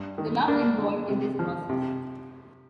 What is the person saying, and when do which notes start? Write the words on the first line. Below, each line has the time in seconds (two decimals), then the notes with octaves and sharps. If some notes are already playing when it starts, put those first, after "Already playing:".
The love involved in this process.
Already playing: G2
0.18 D#3
0.47 A#3 D4
0.78 D3
1.08 C3
1.39 F3
1.69 C3